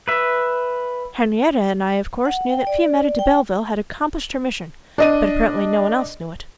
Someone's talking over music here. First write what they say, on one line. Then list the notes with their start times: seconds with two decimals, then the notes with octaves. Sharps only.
Henriette and I, of course, knew that Fiametta de Belleville had accomplished her mission, but apparently no one else knew it.
0.08 B4 E5
2.25 F#5
2.50 G5
2.67 D5
3.19 G5
4.98 D4 D#5 D#7